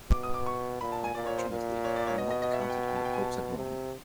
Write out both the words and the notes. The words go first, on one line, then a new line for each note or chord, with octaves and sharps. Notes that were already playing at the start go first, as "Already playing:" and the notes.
Unfortunately he had not counted on the popes at Rome.
B2 D6
D#6
D6
C#6
A#2 B5
A5
G#5
A#2 D5
C#5
C5
A#2
C#5
D5
C#5
B2 D#5
D#5
D#5
E5
F#5
G5
G5
A5
G5
G#5
A5
C3